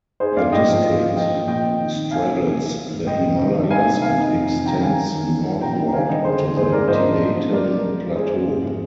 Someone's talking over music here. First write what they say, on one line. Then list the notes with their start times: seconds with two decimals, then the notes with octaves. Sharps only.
The district straddles the Himalayas and extends northward onto the Tibetan plateau.
0.20 D#4 G#4 C5
0.36 G2 D5 F5
0.52 G#2 D#5 G5
0.68 F3
0.84 F4
1.00 F4
1.16 F3 D#5 G5
1.32 A#3
1.48 A#2 D#5 G5
1.64 C4
1.80 D#3
1.96 D#4
2.11 A#3 F5 G#5
2.27 C3
2.44 D#4
2.59 D#4
2.75 C4
2.91 G#2
3.07 G3 D#5 G5
3.23 C3
3.39 D#3
3.55 D4
3.71 D#4 F5 G#5
3.87 C3
4.02 C4 F5 G#5
4.18 D#4
4.34 F2
4.50 C3
4.65 D#3 G5 A#5
4.81 D#3 F5 G#5
4.98 D#3
5.13 D#3
5.29 F4
5.45 F4
5.61 A#2 G5 A#5
5.77 D4
5.93 D#3 F5 G#5
6.09 G3 D#5 G5
6.25 D3 G#4 C5
6.41 D3
6.56 G#2 G#4 C5
6.72 G#2 A#4 D5
6.88 F3 C5 D#5
7.04 D4
7.20 A#2
7.37 F3
7.52 G3 A#4 D5
7.69 G3
7.84 G#3
8.00 G#3
8.16 G#3 G#4 C5
8.32 F2
8.48 G#2